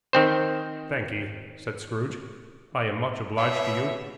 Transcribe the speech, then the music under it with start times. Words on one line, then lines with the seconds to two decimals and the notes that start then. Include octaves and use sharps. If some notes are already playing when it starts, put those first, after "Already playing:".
'Thankee,' said Scrooge. 'I am much obliged to you.
0.13 D#3 C4 C5
3.37 B2 E4 B4 C#5 E5